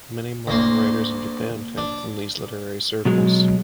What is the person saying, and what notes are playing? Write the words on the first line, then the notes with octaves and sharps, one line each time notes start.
Many modern writers in Japan came from these literary circles.
D2 A#3 C6
D4
B2 F#3 G#3